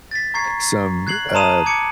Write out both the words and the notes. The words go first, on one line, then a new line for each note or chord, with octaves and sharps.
some, uh,
A6 B6
A#5 C#6 G#6 C7
F#6 G#6 C7 F#7
A5 A#5 C6 D#6 D#7 E7
D6 G#6 C#7 D7